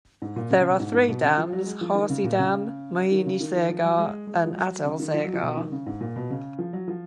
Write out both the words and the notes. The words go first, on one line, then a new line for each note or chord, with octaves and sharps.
There are three dams, Harsi Dam, Mohini Sagar and Atal Sagar.
G#2
A#2
C#3
C#3
B2
G#2
G#2
B2
C#3
F3
F#3
G#3
F3
D#3
C#3
A#2
C#3
D#3
C#3
D#3
D#3
F3
F#3
G#3
G#3
F3
F#3
C#3
D#3
F3
F#3
F3
B2
D#3
C#3
G#2
A#2
B2
C#3
F3
F#3
F3